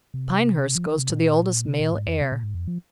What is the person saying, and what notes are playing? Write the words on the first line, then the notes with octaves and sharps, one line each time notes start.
Pinehurst goes to the oldest male heir.
C3
F3
D#3
C3
A#2
C3
A#2
G#2
F2
C3
A#2
G#2
F2
F3